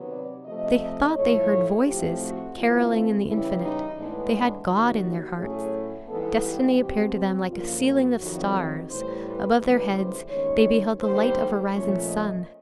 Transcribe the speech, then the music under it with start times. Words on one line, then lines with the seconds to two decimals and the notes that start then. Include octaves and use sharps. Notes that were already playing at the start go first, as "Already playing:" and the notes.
They thought they heard voices carolling in the infinite; they had God in their hearts; destiny appeared to them like a ceiling of stars; above their heads they beheld the light of a rising sun.
Already playing: C3 D#3 F#3 B3
0.09 D5
0.44 C3 F3 A3 D#5
0.79 D#5
1.14 A2 F3 A3 C#5
1.85 A2 F3 A3 C4 G4
2.21 F#4
2.55 C3 E3 A3 C4 F4
3.25 C#3 E3 G3 E4
3.61 D#4
3.96 A2 E3 G#3 B3 D4
4.32 D4
4.66 D#2 D#3 F#3 F#4
5.37 A2 F#3 A3 C#4 G#4
6.07 G#2 E3 G3 B3 A4
6.42 G4
6.77 B2 G3 C4 G4
7.12 G4
7.47 F#2 D3 F3 A#3 F4
7.83 F#4
8.18 F2 C3 D#3 F#3
8.88 A2 E3 G3 C5
9.23 B4
9.58 D2 C#3 E3 G3 B4
9.93 C5
10.29 D#2 D#3 G#3 C#4 C#5
10.99 D#2 D3 G3 C5
11.69 A#2 F3 A3 C#4 C#5
12.04 D#5